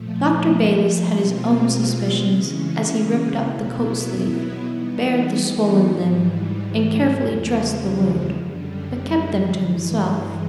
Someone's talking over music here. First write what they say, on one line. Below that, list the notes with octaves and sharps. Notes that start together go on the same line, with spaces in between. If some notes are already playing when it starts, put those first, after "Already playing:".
Dr. Balis had his own suspicions as he ripped up the coat sleeve, bared the swollen limb, and carefully dressed the wound; but kept them to himself.
Already playing: A#2 F3 A3
B2 G#3 C4 F4
C#3 E3 G#3 C#4
B2 F#3 B3 E4
E3 G3 B3 D#4
G#2 E3 G3
E2 C#3 F3 G#3
F#2 D3 G3
G2 E3 G#3